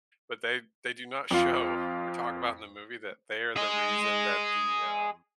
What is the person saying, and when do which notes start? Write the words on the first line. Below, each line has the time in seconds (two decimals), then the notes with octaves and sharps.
but they they do not show or talk about in the movie that they are the reason that the, um,
1.31 F2 F4
3.57 G#4 D#5